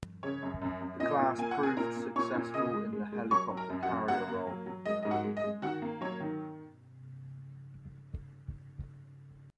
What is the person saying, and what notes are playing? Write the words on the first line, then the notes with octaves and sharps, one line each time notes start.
The class proved successful in the helicopter carrier role.
C#3 C#5
F#2
F#2
F#2
A#2 D#5
A#2
A#3 G#5
F#5
A#3
G#4 G#5
A#2 A#4 A#5
A#3
A#2 C#5 C#6
A#2
C#3 D#5 D#6
G#3
G#3
G#3
F#3 C#5 C#6
F#3
A#4 A#5
F#2
F#4 F#5
F#2
A#3 F#4 F#5
A#3
F#3
F#3
G#3 D#5
G#2 D#5
F#4 F#5
G#3
D#5
G#3
D#3 F#4 F#5
A#3
F#3 C#5
D#3